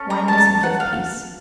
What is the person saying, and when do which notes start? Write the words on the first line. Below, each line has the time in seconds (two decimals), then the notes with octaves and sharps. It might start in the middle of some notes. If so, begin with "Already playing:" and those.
Wine doesn't give peace.
Already playing: C#4 A4
0.10 A#5
0.28 A5
0.38 A#5
0.46 A5
0.63 F#5
0.80 F5